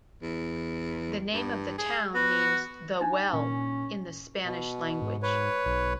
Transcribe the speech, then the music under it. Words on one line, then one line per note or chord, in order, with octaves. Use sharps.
The name of the town means "The Well" in the Spanish language.
E2
G2
G#4
B3 F#4
D4 D#4
A#2 C#4
B2
G#2
B4 C#5
B1